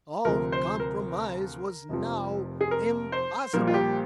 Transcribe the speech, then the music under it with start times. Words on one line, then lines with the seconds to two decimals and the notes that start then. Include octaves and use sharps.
All compromise was now impossible!
0.25 D2 C3 F3 A#4
0.52 C5
0.80 A#4
1.89 F1 F2 C3 F3
2.61 G#4
2.71 A#4
3.12 C5
3.53 A#1 A#2 G3 A#3 A#4
3.67 F4
3.74 G4